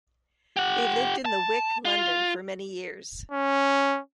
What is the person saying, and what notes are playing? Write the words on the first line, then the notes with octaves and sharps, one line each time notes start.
They lived in The Wick, London, for many years.
G4 F#5
A5
F4
C#4